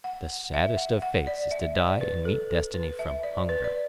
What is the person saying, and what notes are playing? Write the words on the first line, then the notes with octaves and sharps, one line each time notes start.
'The saddest of fates is to die and meet destiny from hunger?'
F#5
E5
F#5
F#5
D5
E5
D5
B4
A4
A4
B4
E5
D5
B4
D5